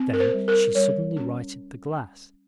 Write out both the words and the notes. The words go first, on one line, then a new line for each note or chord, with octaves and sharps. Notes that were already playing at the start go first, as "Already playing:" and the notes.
Then she suddenly righted the glass.
Already playing: C4
A#4
C5
G3
A#4
G3 C#5
C#4